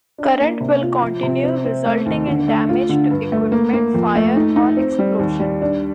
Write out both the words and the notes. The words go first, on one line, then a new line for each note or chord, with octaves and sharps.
Current will continue, resulting in damage to equipment, fire or explosion.
D4
A#3
C3
F4
F3
C3
C4
C4
A3
D#2
D3
A3
F4
D3
G2
A3
A#3
A#3
F2
A3
D#4
D#4
C4
G3
D#2
G3
D4